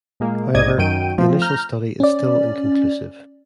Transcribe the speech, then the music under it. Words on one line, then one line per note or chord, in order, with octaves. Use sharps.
However, the initial study is still inconclusive.
A#2 G#3 A#3
A#1 G#2 D5 D#5 G#6 D#7
F#2 D#3 F#3 G5 D7 D#7
F3 A3 C4
A#5 F6 G6
C#4 D5